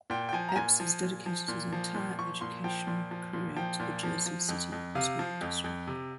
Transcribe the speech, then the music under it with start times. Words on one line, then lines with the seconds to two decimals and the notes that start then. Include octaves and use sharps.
Epps has dedicated his entire education career to the Jersey City School District.
0.10 A#2 G5
0.29 G5
0.33 F3 G#5
0.49 A#5
0.56 A#2 G#5
0.80 F3
1.03 A#2
1.26 F3
1.48 A#2
1.72 F3
1.94 A#2
2.19 F3 C#6
2.41 A#2 C6
2.64 F3 G5
2.87 A#2
3.11 F3
3.33 A#2
3.56 F3 G5
3.80 A#2
4.03 F3
4.26 F3
4.49 F2
4.72 F2
4.95 C3 F5
5.19 F3
5.41 F2
5.64 F2
5.87 C3